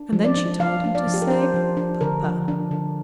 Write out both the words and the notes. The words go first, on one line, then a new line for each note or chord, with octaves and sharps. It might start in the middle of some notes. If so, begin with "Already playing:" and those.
And then she told him to say papa.
Already playing: D4
F3
D5
D4
F3 F5
D4
D5
F3
G4
A#4
D4 C5
F3
D4
D3 A#4
F3
D4
D3